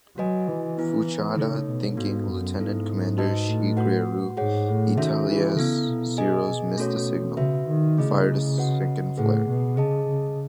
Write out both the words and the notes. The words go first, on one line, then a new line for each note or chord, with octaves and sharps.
Fuchida thinking Lieutenant Commander Shigeru Itaya's Zero's, missed the signal, fired a second flare.
F#3 F#4 B4 D#5 G#5
E3
B3 E4 B4
C#3 A3 D#4 A4 C#5
B2
G#2 B3 F#4 A4
F#2
G#2 B3 E4 A4
D#4 F#4 B4 D#5 A5
A2
F#4 B4 F#5
G#2 G#4 C#5 F#5
A2
D#3 C#4 F#4 A4 E5
E3
C#3 B3 E4 A4
B2
G#4 D#5 G#5
B2
A3 C#4 F#4 A4 C#5
C#3 F#4 B4 E5
D#3
C#3 A3 E4 G#4 D#5
F#4 B4 D#5 F#5
A2 G#4 B4 F#5
B2
C#3 G#4 D#5 A5
C#3